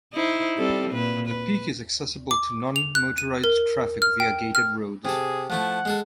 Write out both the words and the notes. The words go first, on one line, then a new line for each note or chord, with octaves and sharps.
The peak is accessible to non-motorized traffic via a gated road.
D#4 E4 C5
G3 C4 A4
A#2 B4
B4
D6
F7
F#6
D#7
A#4
F6
G5
F6
C3 G#4 A4
F3 A3 E4 F#5
G#3 G#4 A4